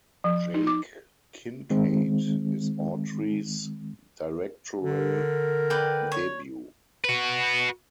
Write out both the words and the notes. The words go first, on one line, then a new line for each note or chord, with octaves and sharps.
Jake Kincaid is Autry's directorial debut.
F3
D#4
D6
D#3 G#3 C4
D3
A#4
B4 D5 G5
C#5
F#4 B4